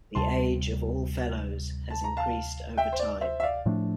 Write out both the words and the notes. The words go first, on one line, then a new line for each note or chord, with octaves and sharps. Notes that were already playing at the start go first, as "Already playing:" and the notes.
The age of all Fellows has increased over time.
D2 C3 G3 A5 C6
A5
A#5
F5 A5
E5 G5
C5
D5
C5 E5
E5
D5 F5
A2 F3 A3 D4